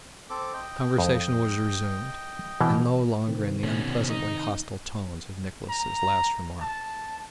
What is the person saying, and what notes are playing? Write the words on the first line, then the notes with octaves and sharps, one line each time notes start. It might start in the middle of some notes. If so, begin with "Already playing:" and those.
The conversation was resumed, and no longer in the unpleasantly hostile tone of Nicholas' last remark.
C4 A4 D6
D#5 G5
F2
B2 E3
C3 D#3 C4
B2 C#4
D#4
A#5
A5